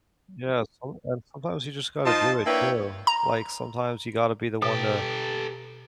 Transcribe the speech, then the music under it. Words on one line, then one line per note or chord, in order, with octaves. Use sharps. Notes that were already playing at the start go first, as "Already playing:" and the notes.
Yeah, sometimes sometimes you just gotta do it too. Like, sometimes you gotta be the one to
F3 D#4 F4 D#5 A5
A#3 D4 E4 B4 C#5 G5
A#5
B2 G4 A4 D#6